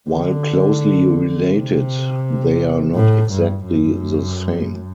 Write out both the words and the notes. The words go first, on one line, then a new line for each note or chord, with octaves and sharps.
While closely related, they are not exactly the same.
D3
C3
A2
G2
F#2